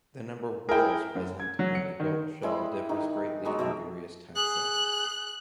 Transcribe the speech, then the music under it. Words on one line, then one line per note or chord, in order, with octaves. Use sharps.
The number of whorls present in an adult shell differs greatly in various taxa.
E4 G#4 A#4 G5
F#2
G#6
F#3
C#7
D#3
G3 G#3 E4
D#3 D#4
F#3 G#3 B3
B2 E5 D6
G#4 F#6